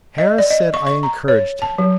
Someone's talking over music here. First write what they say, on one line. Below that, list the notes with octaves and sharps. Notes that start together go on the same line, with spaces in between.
Harris said I encouraged him.
D#5
D5
D#5
C#6
C#6
A#5
C#5
A5
F#3